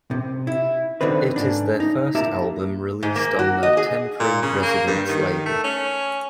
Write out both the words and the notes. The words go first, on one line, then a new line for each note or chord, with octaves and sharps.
It is their first album released on the Temporary Residence label.
C3
E4
D3 D#3 F#3 C4 B4
G#2 D3 D4
D#4
A#3 E4 G4 A5 A#5
G#2
A#3
F#4
D#5
G#4
A#2
C#3
A#3
G2
D#3
A3
C#4